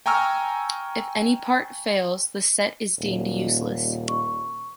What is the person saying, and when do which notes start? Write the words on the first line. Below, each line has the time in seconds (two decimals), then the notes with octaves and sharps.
If any part fails, the set is deemed useless.
0.06 G5 G#5 A#5 C#6 E6 F6
2.99 D#1
4.08 C#6